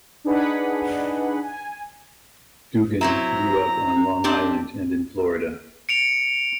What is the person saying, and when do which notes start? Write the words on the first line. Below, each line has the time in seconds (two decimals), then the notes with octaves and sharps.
Dugan grew up on Long Island and in Florida.
0.24 D4 D#4 G#4 B4 F#5 B5
1.41 G#5
3.01 F#3 C4 E4 A#5
4.24 C4 D4 G4
5.89 C#7 D7 F7